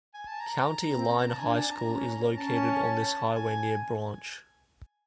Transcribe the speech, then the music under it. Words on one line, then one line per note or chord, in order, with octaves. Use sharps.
County Line High School is located on this highway near Branch.
G#5
A5
A#5
C4
A#5
A5
D4 G#5
A5
A5
A#5
C#4
C#4 A5
G#5